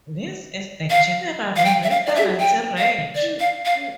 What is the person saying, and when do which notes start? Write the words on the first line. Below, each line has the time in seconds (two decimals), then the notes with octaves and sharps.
This is the general reference range.
0.90 F5
1.56 F5
1.65 G5
1.83 E5
1.90 F5
2.06 D5
2.15 E5
2.40 G5
2.78 F5
3.15 D5
3.40 F5
3.65 F5